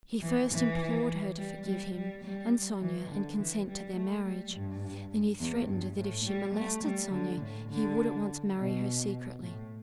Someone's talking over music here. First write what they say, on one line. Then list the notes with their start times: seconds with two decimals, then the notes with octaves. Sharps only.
He first implored her to forgive him and Sonya and consent to their marriage, then he threatened that if she molested Sonya he would at once marry her secretly.
0.22 E3
0.52 E3
1.38 G3
1.67 G3
1.95 G3
2.24 G3
2.81 E3
3.10 D3
3.38 E3
3.67 G3
3.96 A3
4.25 G3
4.53 G2
5.40 E2
5.68 G2
5.97 A2
6.26 G3
6.54 A3
6.84 G3
7.12 D3
7.41 A2
7.69 D3
8.56 B2
9.42 A2